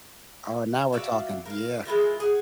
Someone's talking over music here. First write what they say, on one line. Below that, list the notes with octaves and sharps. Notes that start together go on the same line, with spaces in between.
Oh, now we're talking, yeah.
F#4 D5 E5 F5
A#4 F5
G#3 E4 F4 A#4
G#4 F#5